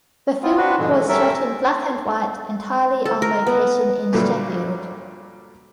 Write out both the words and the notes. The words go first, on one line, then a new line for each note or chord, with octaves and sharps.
The film was shot in black-and-white entirely on location in Sheffield.
B3 C4 F4
C4 D4 F#4 B4
G#2 B2 D3 F3 G#3
E3 G#3 A3
G3 C#4 A4 A#4 E5
A4
A#4
B3
G2 A#2 D3 F#3 G3 A3